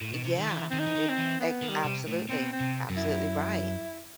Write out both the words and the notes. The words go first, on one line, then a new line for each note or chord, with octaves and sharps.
Yeah. It it absolutely, absolutely right.
A2
B2
C3
D#3
E3
D#3 C4
D#4
E3
D#3
C4
E3
B3
D#3
G3
C3
A2
B2 C4
C4
C3
F#2
E4